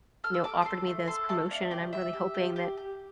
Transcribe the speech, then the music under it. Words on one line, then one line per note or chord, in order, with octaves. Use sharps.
you know, offered me this promotion, and I'm really hoping that,
A4 F6
E6
A4 D6
D6
A4 C6
A3
A4 C6
A3 A5
D4 F5
G4 D5
G4 E5
G4
G4
G4
G4